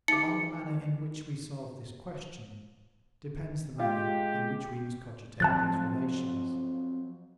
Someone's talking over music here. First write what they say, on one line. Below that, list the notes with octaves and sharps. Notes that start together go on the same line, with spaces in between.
For, on the manner in which we solve this question depends the manner in which we must cogitate these relations.
D#4 G#4 C#7
G#3 F4 G4
F3 F#3 C4 A5 F#6 A6